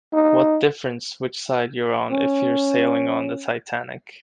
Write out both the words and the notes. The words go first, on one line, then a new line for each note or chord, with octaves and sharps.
What difference which side you're on if you're sailing on the Titanic?
D#4
C#4